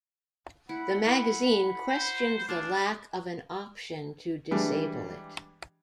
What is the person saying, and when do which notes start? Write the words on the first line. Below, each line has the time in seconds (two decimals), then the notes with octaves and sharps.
The magazine questioned the lack of an option to disable it.
0.69 E4 F#5 B5
1.05 E4
1.89 C5
2.49 D4 F5 G#5 A5
4.51 E3 G3 G#3 D4